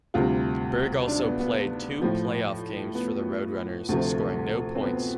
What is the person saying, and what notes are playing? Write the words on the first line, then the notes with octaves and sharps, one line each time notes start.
Berg also played two playoff games for the Roadrunners, scoring no points.
D2 C3 G3 F4
D4
B3
B3
A2 F3
B3
D2 C3 F3 A3
C4
B3